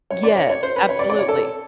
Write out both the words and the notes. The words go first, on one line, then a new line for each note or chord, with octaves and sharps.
Yes, absolutely.
C#5
D5
C#5
C#5
C5
B4
C#5
D5
D5
C#5
A4